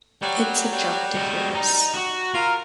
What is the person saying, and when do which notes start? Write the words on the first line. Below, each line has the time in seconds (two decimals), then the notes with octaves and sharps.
It's a joke to hear this.
0.22 G3 C#5 F#5
0.72 G3
1.15 G#3 F#4
1.55 D#4
1.94 F#4
2.34 F4 A#4